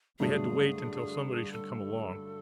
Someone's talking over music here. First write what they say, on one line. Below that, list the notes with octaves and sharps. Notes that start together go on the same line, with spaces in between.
We had to wait until somebody should come along.
G2 D3 F#3 A3 D4 G#4
A4